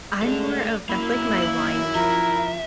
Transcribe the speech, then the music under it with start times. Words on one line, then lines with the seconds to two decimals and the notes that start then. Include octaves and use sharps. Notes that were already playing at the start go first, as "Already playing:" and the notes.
I'm more of that's like my wind
0.22 G#3 A3 A4 D5
0.89 F#2 A#3 E4 B5
1.38 E6 F#7
1.95 F3 A#4 E5